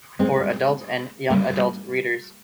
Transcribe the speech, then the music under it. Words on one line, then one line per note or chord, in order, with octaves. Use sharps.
For adult and young adult readers.
G#3 C4
G3 A#3